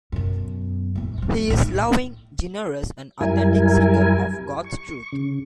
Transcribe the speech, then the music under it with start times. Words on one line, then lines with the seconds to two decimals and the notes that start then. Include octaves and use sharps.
He is a loving, generous, and authentic seeker of God's truth.
0.12 F#2 B2
0.95 E2 A2
1.18 F3 C4
1.48 B1 A2
3.21 F#2 G3 E4 A#4 G#5
4.64 C#6
5.12 C#3